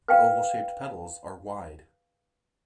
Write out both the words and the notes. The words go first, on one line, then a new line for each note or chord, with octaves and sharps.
The oval-shaped petals are wide.
B4 F5 G5